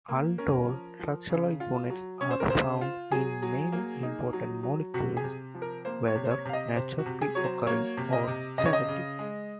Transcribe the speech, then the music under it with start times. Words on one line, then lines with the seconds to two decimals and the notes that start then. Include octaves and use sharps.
Aldol structural units are found in many important molecules, whether naturally occurring or synthetic.
0.08 A#3
0.38 C#4 A#4
0.68 F3
0.99 F3
1.30 C#3
1.60 F4
1.90 F#3
2.21 C#4 C#5
2.31 C5
2.40 A#4
2.50 C#3 C5
2.81 F4
3.12 F#3 G#4
3.42 F#3
3.72 A#3
4.03 D#4
4.33 F#3
4.63 F#3
4.94 C3 F#4
5.17 G#4
5.24 C3
5.54 F3
5.62 A#4
5.85 A#3 C5
6.08 C#5
6.15 C3
6.25 C5
6.31 C#5
6.45 C3 F5
6.53 D#5
6.76 C3 C5
6.99 F#4
7.06 C3
7.21 G#4
7.35 F#3 C#5
7.44 C5
7.67 A#3 C#5
7.97 C3
8.13 D#5
8.27 C3
8.58 C#3 D#5
8.65 C#5
8.73 D#5
8.88 C#3
9.19 G#3